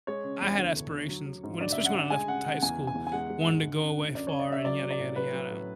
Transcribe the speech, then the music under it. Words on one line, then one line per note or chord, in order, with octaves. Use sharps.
I had aspirations when especially when I left high school, wanted to go away far and yada yada yada;
G#3 C#5
C#3
E2
D2
D3
D2
F#3
F#3
G#2
D2 D5
E5
C#3
F#5
D2
G#3 G#5
C#3 F#5
C#2 F#5
E2 G#5
C#3
G#5
E2
G#5
G#3 F#5
G#3
G#2
D2
C#3
D2
F#2 D5
C#3 C#5
D5
F#2 E5
F#3 D5
F#3
D5
A2
F#3 B4
F#3
A2